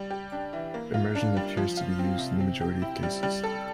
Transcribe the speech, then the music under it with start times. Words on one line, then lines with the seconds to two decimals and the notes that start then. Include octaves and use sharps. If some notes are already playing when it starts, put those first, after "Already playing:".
Immersion appears to be used in the majority of cases.
Already playing: G3
0.10 G4
0.32 D4
0.53 E3
0.74 A#3
0.94 F4
1.15 D4
1.37 G3
1.57 F3
1.77 F4
1.99 C4
2.19 C3
2.40 C4
2.61 G4
2.82 E4
3.03 G3
3.23 G3
3.44 A4